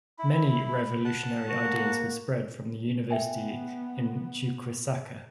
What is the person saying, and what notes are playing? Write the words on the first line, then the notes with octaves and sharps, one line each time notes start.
Many revolutionary ideas were spread from the University in Chuquisaca.
E4 B5
F#5 A5
A#3 F#4
B3 E5 G5 G#5